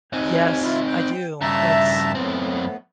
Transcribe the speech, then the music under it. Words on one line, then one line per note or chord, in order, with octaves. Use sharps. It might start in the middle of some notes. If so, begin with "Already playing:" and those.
Yes. I do. That's
D#2 C4 D#4 G#5
E4 F4
G5
G2 C#3 E5 A5 A#5
F#2 A2 B3 C4